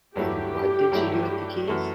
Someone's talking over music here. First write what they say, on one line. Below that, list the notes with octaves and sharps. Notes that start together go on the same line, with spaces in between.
And what did she do with the keys?
G2 F#3 A3 E4 G4
G2 F#3 A3 E4
F#2 E3 A3